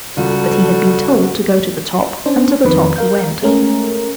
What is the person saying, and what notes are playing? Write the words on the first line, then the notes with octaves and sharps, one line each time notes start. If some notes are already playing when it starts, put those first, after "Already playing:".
But he had been told to go to the top, and to the top he went.
C#2 G3 F#4 A4
C#4 D4 C5
F2 D#3 B4
A#4 F5 G6
G#3 A3 C#4 A#4